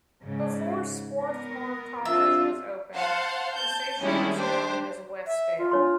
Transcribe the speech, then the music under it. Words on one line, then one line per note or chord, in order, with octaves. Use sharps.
Before Swarthmore College was opened, the station was known as Westdale.
G#2 C#3
B3 A#4
C4 D4 F4 E5
C5 F5 F#5 A5
A5 G6
D#3 G3 G#3 C#4 D4 E4
D4 G4 C5
E5
F4
D4 C#5 C6